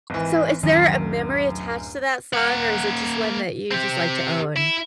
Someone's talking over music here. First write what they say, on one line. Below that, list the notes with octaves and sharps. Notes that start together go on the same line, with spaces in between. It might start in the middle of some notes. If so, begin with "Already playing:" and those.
So, is there a memory attached to that song, or is it just one that you just like to own?
G#1 E3
D1 F#2 D#3
A#3 F#5
C4 G4
E4